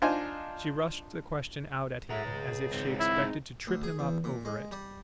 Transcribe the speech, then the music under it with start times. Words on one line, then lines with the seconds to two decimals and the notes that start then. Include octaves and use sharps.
She rushed the question out at him as if she expected to trip him up over it.
0.02 D4 D#4 F4 C5 G#5
2.10 F#4 G#4 A4 E5 A#5
2.24 C#2 C#3
2.72 G#2 C4
3.00 E4
3.16 G#3 D#4
3.67 D2
3.83 G#4
3.99 E2
4.24 A#2
4.45 G#3
4.72 G3